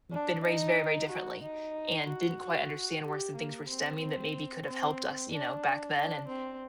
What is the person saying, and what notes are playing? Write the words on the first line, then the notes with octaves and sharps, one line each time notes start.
been raised very, very differently and didn't quite understand where some things were stemming that maybe could have helped us, you know, back then," and
D4
D#4
F#4
D#4
F#4
G4
A#3
C4
C4
C4
D4
D4
C4